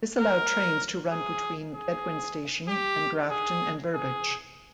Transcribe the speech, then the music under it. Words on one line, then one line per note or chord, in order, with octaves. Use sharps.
This allowed trains to run between Bedwyn station and Grafton and Burbage.
A#4
G#4
G#4
G4
G#4
G#4